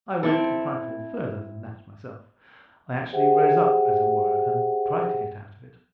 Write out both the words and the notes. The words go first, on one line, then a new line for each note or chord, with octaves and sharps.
I went a trifle further than that myself; I actually rose up, as it were, and tried to get out of it.
C4 E4 A4
G4 G#4 C5 E5 F#5 G5